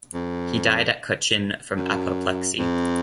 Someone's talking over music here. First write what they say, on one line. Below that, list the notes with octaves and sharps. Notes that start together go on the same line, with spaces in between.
He died at Cochin from apoplexy.
F2
F#2
F2